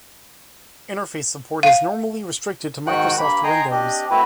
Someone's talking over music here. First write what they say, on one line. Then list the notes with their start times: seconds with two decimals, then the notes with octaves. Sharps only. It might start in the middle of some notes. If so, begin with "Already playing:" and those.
Interface support is normally restricted to Microsoft Windows.
1.63 F5
2.87 G#2 D#3 F#4 F#5 G5 F#6
3.18 G2 A#3 B5
3.44 D#5 G5 G#5 A#5 C6 D#6
3.71 C4 D4 G4 D#5
4.10 A3 C4 E4 F#4 B4